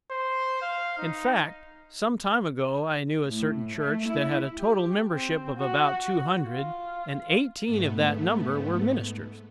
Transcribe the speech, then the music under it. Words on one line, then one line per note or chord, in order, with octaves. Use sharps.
In fact, some time ago I knew a certain church that had a total membership of about two hundred, and eighteen of that number were ministers.
C5
F5
D#4
A2
A3
E4
G4
C4
F#4
F4
G#2 A3 B3